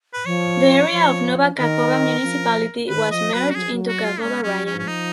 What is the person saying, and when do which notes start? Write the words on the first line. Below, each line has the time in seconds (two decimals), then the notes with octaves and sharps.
The area of Nova Kakhovka Municipality was merged into Kakhovka Raion.
0.13 B4
0.25 F3 C#5
0.92 F3
1.57 D#3 A#4
2.23 F3
2.89 D#3 B4
3.11 F3 D#5
3.33 F#3 B4
3.50 F#4
3.55 F#3 G#4
3.62 F3
3.70 F#3
3.88 F#4
4.04 F4
4.21 G#3 C#4
4.43 F#3 C#4
4.65 F3 C#4
4.79 C#4
4.87 D#4